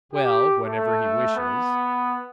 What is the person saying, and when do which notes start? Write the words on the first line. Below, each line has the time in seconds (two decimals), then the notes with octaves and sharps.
"Well, whenever he wishes?"
0.13 G4
0.65 A3
1.36 B3